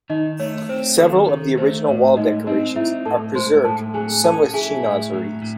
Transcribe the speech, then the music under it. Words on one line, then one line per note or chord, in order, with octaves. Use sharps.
Several of the original wall decorations are preserved, some with Chinoiseries.
D#3 D#4 D#5
A3 C#5
C4 C5
D#3 A4
D#3 A4
A3 C5
A2 C#5
G#3 D#4 D#5
C4 D#4 D#5
D#4 E4 E5
A2 A4 A5
G#3 C5 C6
A2 A4 A5
F#3 G#4 G#5
C#4 A4 A5
E4 G#4 G#5
A2
F#3
A2